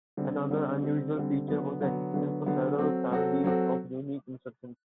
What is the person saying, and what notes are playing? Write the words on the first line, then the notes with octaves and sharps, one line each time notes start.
Another unusual feature was the existence of several families of unique instructions.
D3 G3 C4
D3 G3 C4
D3 G3 C4
D3 G3 C4
D3 F#3 B3
D3 F#3 B3
D3 F#3 B3
D3 F#3 B3
F#3 C4 F#4 A4
F#3 C4 F#4 A4
F#3 C4 F#4 A4